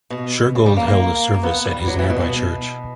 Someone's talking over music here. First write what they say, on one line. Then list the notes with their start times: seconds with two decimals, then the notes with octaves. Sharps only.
Shergold held a service at his nearby church.
0.10 B2
0.55 C#3
0.66 G3
0.77 A#3
0.88 A#3
1.34 A#3
1.43 B3
1.66 G3
1.88 F#3
1.99 E3
2.04 A#2
2.10 B2
2.20 B2